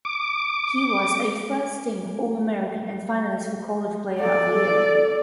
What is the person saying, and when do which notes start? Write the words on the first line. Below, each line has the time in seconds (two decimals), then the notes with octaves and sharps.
He was a first-team All-American and finalist for "College Player of the Year".
0.05 D6
4.20 A4 D5